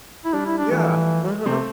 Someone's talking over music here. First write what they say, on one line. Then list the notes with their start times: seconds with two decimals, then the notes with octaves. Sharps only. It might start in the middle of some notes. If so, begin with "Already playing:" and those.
Yeah. Uh-huh.
0.25 E4
0.33 G3 D4
0.46 E4
0.58 D4
0.71 E3 F3 A3
1.46 C3 A3 C4